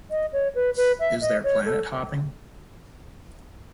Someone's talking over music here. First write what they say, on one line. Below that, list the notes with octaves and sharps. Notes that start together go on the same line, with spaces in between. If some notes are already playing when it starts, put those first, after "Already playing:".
Is there planet hopping?
D#5
C#5
B4
B4
E5
D#5
C#5
A4